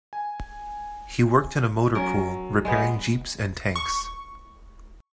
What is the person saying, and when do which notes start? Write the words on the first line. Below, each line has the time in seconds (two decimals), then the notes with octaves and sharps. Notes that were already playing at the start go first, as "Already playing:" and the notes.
He worked in a motor pool, repairing jeeps and tanks.
0.13 G#5
1.95 F#3 C#4 A#4
2.65 G#3 B3
3.76 C#6